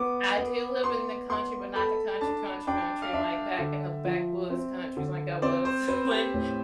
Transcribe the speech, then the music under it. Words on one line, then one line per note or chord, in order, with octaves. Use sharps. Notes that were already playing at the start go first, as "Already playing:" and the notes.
I do live in the country, but not the country, country, country, like, back in the backwoods countries like I was when
Already playing: B3 D6
B3
B3 C6
B3 C6
A4 B5
D4 A5
D4 G5
F5
D4 E5
D3
F3
C4
D3
C4 D5
C5
C4 B4
G4
A2